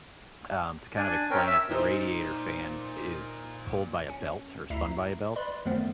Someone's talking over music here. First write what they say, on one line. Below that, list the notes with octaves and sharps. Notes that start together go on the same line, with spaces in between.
um, to kind of explain it, the radiator fan is pulled by a belt or spun by a belt.
D4 D5 G#5
C4 C#4 A#4 C#5 G5
E5 E6
A#2 D#4 C5
C#4
D2 E4 E5 A#5 C7
B4 D5 B5 C6
F#2 D#3 F3 A3 B3